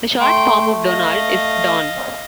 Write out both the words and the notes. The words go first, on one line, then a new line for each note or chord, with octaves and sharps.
A short form of "Donald" is "Don".
A3 G5 C6
D#5 F5